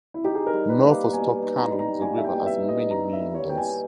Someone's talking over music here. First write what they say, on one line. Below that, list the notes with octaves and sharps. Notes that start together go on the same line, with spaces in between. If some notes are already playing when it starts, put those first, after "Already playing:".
North of Stoke Canon the river has many meanders.
E4
D#4 G4
G#4
A#4
G3
B4
A#3
B4
B2 G#5
D#4
A#5
G3
A#5
A#3 G#5
E5
G5
B2
E5
D#4
D#5
G3 A#5
E5
A#3
C#5
B2 G5
G#5